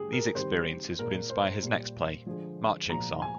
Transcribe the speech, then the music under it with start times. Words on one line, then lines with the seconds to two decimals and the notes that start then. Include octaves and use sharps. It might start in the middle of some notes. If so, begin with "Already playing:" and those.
These experiences would inspire his next play, "Marching Song".
Already playing: D3 G3 G4 G#4
0.13 A#4
0.35 C3 D#3 G3 C5
0.98 A#2 G#3 A#4
1.30 C5
1.62 A#2 G3
2.26 D3 F3 G#3
2.89 A#2 F3 G#3 A#5
3.22 G#5